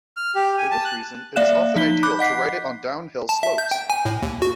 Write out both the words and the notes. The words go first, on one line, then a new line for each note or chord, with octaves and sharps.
For this reason, it is often ideal to ride it on downhill slopes.
F6
G4
G#5
A5
F#6
A#3 D5 E5 F5 F#6 E7
F3 D#4 B6 G7
B5 D6 F#6 G6
D#5 F#5 B6 C7
A5
E5
G6
G5
G#5
A2
D#2
F#4